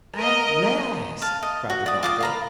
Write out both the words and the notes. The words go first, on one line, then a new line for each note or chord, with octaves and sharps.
"At last!" cried the Doctor.
A#4 D#5
F5 A5
D#5
F#4
D5 D#6
F4 D6 D#6
F5 A#5 B5